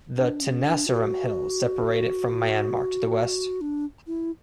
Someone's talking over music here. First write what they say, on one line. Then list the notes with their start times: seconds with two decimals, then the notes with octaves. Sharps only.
The Tenasserim Hills separate it from Myanmar to the west.
0.19 D4
0.41 C#4
0.65 D4
0.87 F#4
3.61 D4
4.07 E4